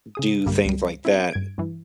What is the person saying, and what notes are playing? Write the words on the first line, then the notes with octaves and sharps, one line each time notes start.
do things like that,
C#3 G#4 D#6
B1 G2 D3 G3 A#3
C#2 G3
C4 E4
G2 G#6 D7
G2 E3